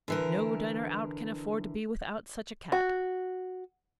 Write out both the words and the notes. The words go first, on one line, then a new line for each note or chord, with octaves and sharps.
No diner-out can afford to be without such a cat.
D3 E3 A#4
F#4